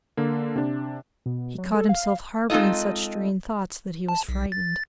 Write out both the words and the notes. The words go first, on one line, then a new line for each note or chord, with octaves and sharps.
He caught himself harboring such strange thoughts that he was frightened.
D3 A#3
C3 D4
B2
F#3
A4
F5
G#3 C4 D#4 F4 A4 D#5
A5
B1
A6